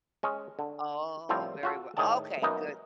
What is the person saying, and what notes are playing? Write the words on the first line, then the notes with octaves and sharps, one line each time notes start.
Oh, very w okay, good.
G#3 C#4
D3
A2 F3 G3 C4 F4 A#4
F4 F#4 A4
A2 D#3 G#4 D5 A5
F#2 A#3 B3 D#4